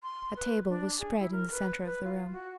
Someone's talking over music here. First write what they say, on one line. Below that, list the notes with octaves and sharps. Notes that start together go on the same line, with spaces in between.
A table was spread in the centre of the room.
C6
B4
D4
G#4
E4
A#4
B4
B4
F4
F#4